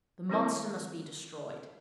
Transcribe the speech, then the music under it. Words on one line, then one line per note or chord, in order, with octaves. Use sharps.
"The monster must be destroyed."
D#3 G3 C4 E4 A#4 C#5